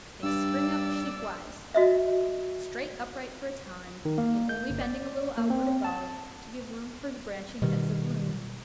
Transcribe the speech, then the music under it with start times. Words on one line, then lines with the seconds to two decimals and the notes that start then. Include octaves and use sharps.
They spring up sheaf-wise, straight upright for a time, and only bending a little outwards above, to give room for the branching heads of bloom.
0.23 G2 D5 E6
1.74 F#4 D#5 E5
4.05 D#3
4.18 A#3
4.49 G6
4.70 G1
4.81 D5
5.38 A#3
5.50 C4
5.84 A5
7.62 B2 D#3 G3